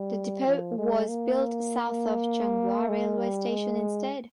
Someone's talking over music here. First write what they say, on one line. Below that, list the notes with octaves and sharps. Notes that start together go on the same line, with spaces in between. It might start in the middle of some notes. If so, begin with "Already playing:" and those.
The depot was built south of Changhua railway station instead.
Already playing: G3
F3
G#3
A#3
G#3
G3
G#3